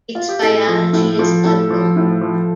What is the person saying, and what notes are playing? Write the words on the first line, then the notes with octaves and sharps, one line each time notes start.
Its biology is unknown.
F4
G4
A2 A4
F3
A2
F3
A2 A4
F3
A2
F3